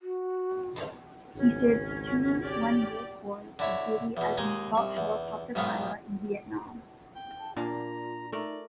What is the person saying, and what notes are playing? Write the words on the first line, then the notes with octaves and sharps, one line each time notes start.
He served two one-year tours of duty as an assault helicopter pilot in Vietnam.
F#4
G#1 C#2 C#4
G4 D5
D3 E4 C#5
E2 B2
D#2 G#3 D#4 G#4 G#5
C2 C#6
E2
B1 G#2 D#3 B3 F5 C#6
G5
A5
A#2 A#3 D4 F4 A#5
A3 D#4 A#4 D5